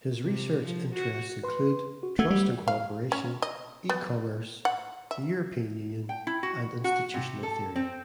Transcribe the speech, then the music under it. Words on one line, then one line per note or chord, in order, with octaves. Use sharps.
His research interests include, trust and co-operation; E-commerce; the European Union; and institutional theory.
C3
F3
F#4
B4 C6
F#4
A3 F#5 E6 G#6
G3
F5
C#4
D#5
B3
F#5
E5
G5
E4
F#4
F#4
C3
A4
C4